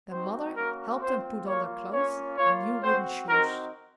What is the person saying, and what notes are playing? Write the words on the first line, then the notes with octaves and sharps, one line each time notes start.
Their mother helped them put on their clothes and new wooden shoes.
C4 D#4 F#4 C5
A#3 C#4 F#4 A#4
C4 F4 C5
A#3 F4 C#5
A#3 C#4 F4 C#5
A#3 F4 C#5
C4 F#4 C5
C4 D#4 F#4 A#4